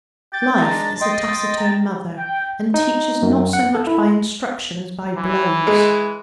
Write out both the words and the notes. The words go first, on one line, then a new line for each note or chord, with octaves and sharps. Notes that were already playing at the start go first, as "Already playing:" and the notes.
Life is a taciturn mother, and teaches not so much by instruction as by blows.
G5 D6 A6
G#3 D4 A#5
D#5 G5 C6
A#5
G5
D#4
F#2
F#5
A4
E4
E3
G#3